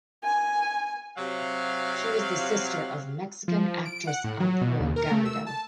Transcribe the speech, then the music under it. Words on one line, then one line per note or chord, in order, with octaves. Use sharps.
She was the sister of Mexican actress Amparo Garrido.
G#5
C3 F#3 F5
F3
D7
F#5
A2
F#3
B2
D#2
A#4
A3
E6
A5